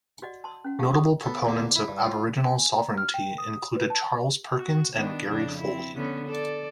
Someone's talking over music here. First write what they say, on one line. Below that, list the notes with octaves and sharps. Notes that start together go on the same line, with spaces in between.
Notable proponents of Aboriginal sovereignty included Charles Perkins and Gary Foley.
F#4 D5 D#5 F#5
A5 C6
C#4 F#5
F4 G4 G#4 F5 F#5 A5
C#6 D#6
B3 A4
E2 D3 A#3
E4
G2
F4
G#5
A#5
F6
G5
D#6
B4
A5
F#4
D#3 B3 D4
F2 C#3 D4
C4 E4
D3 B3 C#4
A4 D5